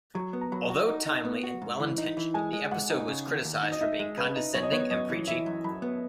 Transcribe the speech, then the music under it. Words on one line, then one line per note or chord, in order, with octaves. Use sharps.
Although timely and well-intentioned, the episode was criticized for being condescending and preachy.
F#3 C#6
B3
A#5
F#3 B5
F#4
D#4
D#4
B3
F#4
G#2
E3
D#4
E3
G#3 G#5
G#3
G#2 F#5
D#4
C#3
D#2
D#2
D#4
D#5
D#4 E5
G#3
C#3 B4
D#4
F#2 C#5
D#5
B3 C#5
F#2 D#5
E3
E3 E5
F#2
F#2 B5
B3